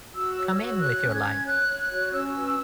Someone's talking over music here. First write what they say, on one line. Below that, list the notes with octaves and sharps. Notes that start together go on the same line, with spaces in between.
Come in with your light.
F#4 E6
C#5
E6
F#4
C#5 F#6
C#4
G#6
C#4
C#5 F#6
C#5
F#6
F#4
C#4 E6
B4